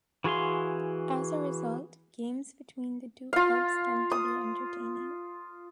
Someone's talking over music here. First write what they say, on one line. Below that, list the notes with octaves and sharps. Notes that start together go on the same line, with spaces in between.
As a result, games between the two clubs tend to be entertaining.
E3 F#4 G#4 F5 C6
F4 F5
D#6